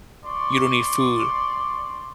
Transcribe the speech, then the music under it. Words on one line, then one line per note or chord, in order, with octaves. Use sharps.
You don't need food,
D5 C6 C#6